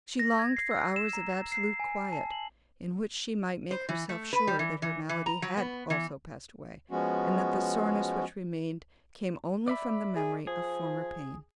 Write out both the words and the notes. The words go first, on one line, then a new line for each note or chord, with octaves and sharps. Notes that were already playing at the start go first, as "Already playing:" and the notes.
She longed for hours of absolute quiet, in which she might make herself sure that her malady had also passed away, and that the soreness which remained came only from the memory of former pain.
A#6
G#6
C7
E6
E7
A#5
C7
G#5
A5
F#7
C5
E3
A3
B4
G3
E3
E3
E3
A#5
F#3
B3
E3
F3 G#3 B3 C#4 F#4
D5 E5 B5
G#4
F3 G#4